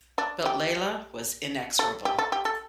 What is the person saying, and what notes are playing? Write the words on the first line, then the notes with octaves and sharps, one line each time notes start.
But Layla was inexorable.
D4
G4
A4
G4
A4
G4
A4